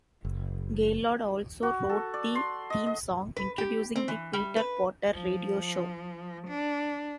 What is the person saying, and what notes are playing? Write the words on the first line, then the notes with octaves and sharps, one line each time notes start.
Gaillard also wrote the theme song introducing the Peter Potter radio show.
F#1
F#4
A4
D5
C6
D#5
D#5
B4
G4
C4
E3
G3
B4
F3
D4